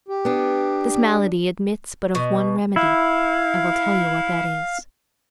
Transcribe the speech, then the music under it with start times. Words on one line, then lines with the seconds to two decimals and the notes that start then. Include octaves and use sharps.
This malady admits but of one remedy; I will tell you what that is.
0.08 G4
0.25 B3 D4
2.15 B2
2.76 E4 F5